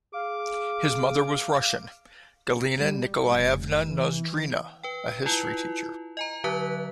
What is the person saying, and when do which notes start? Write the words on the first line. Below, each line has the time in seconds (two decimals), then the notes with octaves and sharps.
His mother was Russian, Galina Nikolaevna Nozdrina, a history teacher.
0.14 G#4 F5 D6
2.79 G3
3.33 F1
3.86 E3
4.83 B4 G5
5.26 E4 F4 B4
6.17 D#5 G#5 A#5
6.44 D3 F#3 B4 F#6 B6